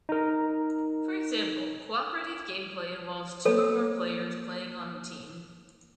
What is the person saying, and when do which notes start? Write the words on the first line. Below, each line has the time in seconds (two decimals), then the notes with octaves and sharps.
For example, "cooperative" gameplay involves two or more players playing on a team.
0.09 D#4 A#4
3.45 F#3 A#3 A4 C#5